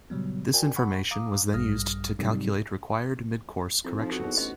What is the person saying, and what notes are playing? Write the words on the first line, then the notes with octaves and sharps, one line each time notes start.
This information was then used to calculate required mid-course corrections.
A#2 C#3 F#3 G3 B3
F#4 A#4 D5 G5 G#5
F#5 A5 B5 C#6
F5 A#5 D6 D#6
A#1 G2 G3 D#6 F6 A#6
G#2 C3 F#3 G3 C4 D#4
F2 E4
F3 D#4
B3 C4 F#4 A4
E2 D#4
A1 D#5 C6